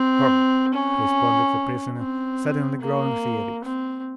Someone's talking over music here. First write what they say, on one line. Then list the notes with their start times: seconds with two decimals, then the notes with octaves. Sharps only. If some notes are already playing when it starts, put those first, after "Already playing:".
"Hum!" responded the prisoner, suddenly growing serious.
Already playing: C4
0.74 C#4
1.98 C4
2.81 A#3
3.64 C4